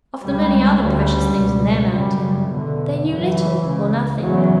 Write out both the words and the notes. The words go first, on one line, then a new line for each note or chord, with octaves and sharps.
Of the many other precious things in their mountain they knew little or nothing.
C#2 C#3 G3
D2 C#3 G3
C#2 B2
F#2 C#3 G3
E2 B2 D3
F#2 C#3 E3
C#2 C#3
E2 C#3 F#3